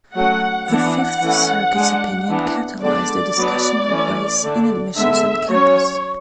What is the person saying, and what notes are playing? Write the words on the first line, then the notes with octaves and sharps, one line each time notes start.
The Fifth Circuit's opinion catalyzed a discussion of race in admissions on campus.
F#3 A3 C#4 F#5
E3 B3 D4 F#5
E3 A3 C#4
G#3 D4
E3 B3 D4
D3 G#3 B3 D4 D5
F#3 B3 D4
E3 A3 C#4
D3 A3 D4
D3 G#3 B3 E5
F#3 C#4 C#5